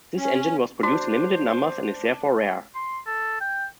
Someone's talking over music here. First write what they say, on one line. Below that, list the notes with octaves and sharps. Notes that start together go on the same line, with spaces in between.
This engine was produced in limited numbers and is therefore rare.
C#4
D4 F#4 C5
C6
A4
G5